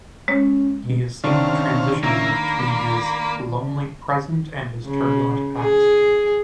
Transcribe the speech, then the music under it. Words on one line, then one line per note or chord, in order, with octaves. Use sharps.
He is seen transitioning between his "lonely present and his turbulent past".
G#3 C#4 C#5
B2
C3 D#3 C#4 D4 F5
C#3 A#3 E4 A#4
B5
C#3
G#4